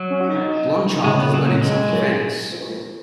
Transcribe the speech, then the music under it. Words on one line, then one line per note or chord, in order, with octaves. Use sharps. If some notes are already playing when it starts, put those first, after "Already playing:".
Blond child is learning self deference.
Already playing: F#3
C#4
F#4
D#4
C#3 G#3
B3
F#3
F#3
C#3 G#3
F#3